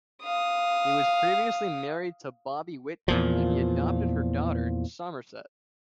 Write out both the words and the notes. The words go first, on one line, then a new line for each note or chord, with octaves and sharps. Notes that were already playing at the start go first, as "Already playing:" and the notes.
He was previously married to Bobbie Whitby and he adopted her daughter, Somerset.
F5 D#6
E2 A#2 F3